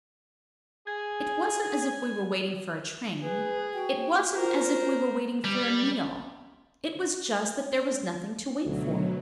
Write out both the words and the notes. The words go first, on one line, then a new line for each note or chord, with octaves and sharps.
It wasn't as if we were waiting for a train, it wasn't as if we were waiting for a meal--it was just that there was nothing to wait for.
G#4 G#5
G#4 B4
F#4 G5
F4 A#4 C5
G3
D2 B2 F#3